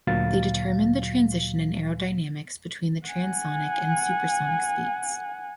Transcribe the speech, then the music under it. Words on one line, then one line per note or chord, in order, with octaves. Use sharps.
They determined the transition in aerodynamics between transonic and supersonic speeds.
D2 A#2 F#3 F5 A6
F#5 G#5